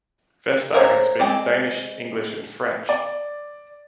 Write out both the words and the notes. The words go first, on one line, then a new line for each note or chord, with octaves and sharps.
Vestager speaks Danish, English and French.
A#4 C5 C#5 A#5
G#3 C4 D5
D5